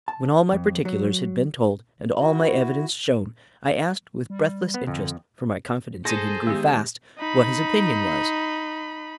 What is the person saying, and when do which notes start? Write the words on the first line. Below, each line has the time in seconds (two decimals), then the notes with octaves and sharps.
When all my particulars had been told, and all my evidence shown, I asked with breathless interest--for my confidence in him grew fast--what his opinion was.
0.08 A5
0.52 F2
0.85 F#3
2.19 E4 F#4
4.30 G3
4.74 B3
4.87 F2 D3
6.05 G#4 A4 C5 A#6 D#7
6.47 D#3 G#3 B3 G4
7.19 D#4 B5